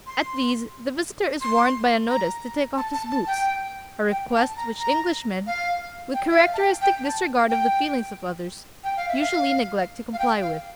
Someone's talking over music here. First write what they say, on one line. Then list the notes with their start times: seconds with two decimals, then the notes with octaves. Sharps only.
At these the visitor is warned by a notice to take off his boots, a request which Englishmen, with characteristic disregard of the feelings of others, usually neglect to comply with.
0.07 C6
1.41 C6
2.09 A#5
2.77 A5
2.93 A5
3.10 A5
3.27 G5
4.11 G5
4.35 A5
4.57 A#5
4.79 A#5
5.47 F5
6.14 G5
6.30 E5
6.37 F5
6.54 A5
6.59 G5
6.81 G5
7.04 A5
7.49 G5
8.84 G5
8.97 F5
9.08 E5
9.21 F5
10.13 F5
10.19 G5
10.41 F5